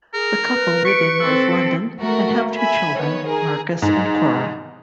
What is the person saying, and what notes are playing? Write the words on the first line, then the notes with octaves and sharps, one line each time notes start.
The couple live in North London, and have two children, Marcus and Cora.
G#4 A#4
B4
C#6 B6 C#7 D7
C4 A4 E6
A3 F#4 A#4
E5 G#5 B5
D#3 B3 C#5
G#4 A#4
G#2